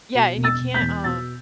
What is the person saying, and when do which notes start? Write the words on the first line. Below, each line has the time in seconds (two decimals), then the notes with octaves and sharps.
Yeah, and you can't, uh
0.14 B2
0.36 E1
0.44 E6 A6
0.60 E1
0.74 G6 B6
0.81 E2
1.04 B2 E6 A6